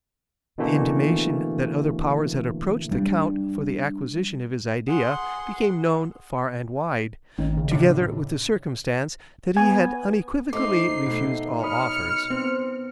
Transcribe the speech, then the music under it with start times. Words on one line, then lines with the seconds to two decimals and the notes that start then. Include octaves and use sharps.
The intimation that other Powers had approached the Count for the acquisition of his idea became known far and wide, together with the circumstance that he had unequivocally refused all offers.
0.58 B2 D3 E3 A3 A#3
2.91 G3 D4
4.87 G#4 F#5 C6
7.38 A1 D#3 C#4
7.57 C#3
7.72 A2 D3
9.57 B3 G#5
10.53 A3 D#4 C5 D#5 D6 C7
11.06 B2 A3
11.63 C#5 B5 D#6 F6 C#7
12.30 B3 C4 C5